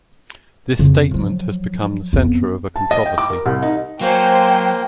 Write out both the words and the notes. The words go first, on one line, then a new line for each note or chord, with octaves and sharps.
This statement has become the center of a controversy.
F2 C#3
F3 F#3
F2 B3
A5
D#5
G5
D6
A#4
C2
D#4
F#3 A#3 C5 G5 G#5 C6